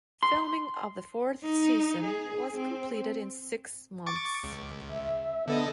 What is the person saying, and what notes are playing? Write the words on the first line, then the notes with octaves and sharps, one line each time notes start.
Filming of the fourth season was completed in six months.
C6
D#4
G#4
C4
C#6 D6 A6
C#2
E5
D3 B3 A4 D#5